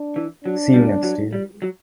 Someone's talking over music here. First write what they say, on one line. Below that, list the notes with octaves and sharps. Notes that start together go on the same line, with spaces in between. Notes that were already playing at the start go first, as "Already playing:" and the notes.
See you next year.
Already playing: D4
E3
F#3 D4
G3
F#3
G3
F#3